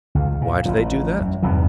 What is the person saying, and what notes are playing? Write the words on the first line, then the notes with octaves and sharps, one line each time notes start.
"Why do they do that?"
C#2
A#2
A1 F3
F#2
E2 G2 C3 D#3